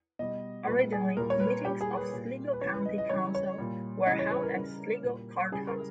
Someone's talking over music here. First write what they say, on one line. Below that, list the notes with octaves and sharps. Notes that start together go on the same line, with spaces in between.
Originally meetings of Sligo County Council were held at Sligo Courthouse.
B2 G3 D#5
A#2 G3 B4
G#4
A#2 G3 A#4
C#5
B4
A#2 G3 G4
G#4
B4
A#2 G3
B4
C#3 E3 G3 C#5
B4
D#5
D#5
C#3 E3 G3 C#5
C#5
A#2 G3
C#3 E3 G3 D#5
C#5
B4
A#4
C#3 G3
A#2 G3
C#3 G3 G#4
A#4